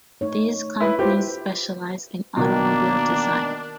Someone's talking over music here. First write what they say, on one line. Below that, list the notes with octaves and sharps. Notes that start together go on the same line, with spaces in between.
These companies specialize in automobile design.
A3 D#4 C#5
E4 B4
E4 F4 G4 B4 C5
B2 D#3 A#3 D4